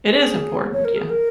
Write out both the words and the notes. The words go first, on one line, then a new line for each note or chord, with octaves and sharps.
It is important. Yeah.
G#4
C#5
A#4
G#4
A#4